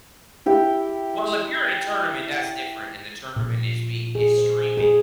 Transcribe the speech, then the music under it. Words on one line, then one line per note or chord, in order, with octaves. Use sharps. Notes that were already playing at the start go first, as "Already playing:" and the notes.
Well, if you're in a tournament, that's different, and the tournament is be is streaming,
E4 G4
A#2
G#4
C5
G#4